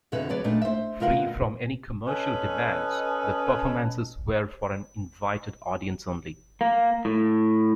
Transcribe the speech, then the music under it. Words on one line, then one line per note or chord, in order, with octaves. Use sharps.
Free from any commercial demands, their performances were for an invited audience only.
F2 B2 D3 G#4 B4 E5
F#3 G#4 B4 C#5 D5
A#2 A3 D4 D#4
C5 E5
D2 B2 F4 A#4 F5 F#5
C#4 A4 B4 D#5
A#3
A2